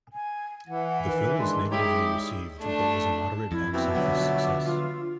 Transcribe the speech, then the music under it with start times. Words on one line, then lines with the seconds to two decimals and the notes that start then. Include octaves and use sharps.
The film was negatively received but was a moderate box office success.
0.13 G#5
0.68 E3 F#5
1.07 D#3 B4
1.39 G#3 D4 D5 C6
1.71 G3 G#3 D#4 E4 G4 G#4 C#5 G5
2.59 A3 D4
3.52 F2 E4
3.74 B2 C4 D5 E5
3.95 D3 F3 F#3 B3
4.66 F4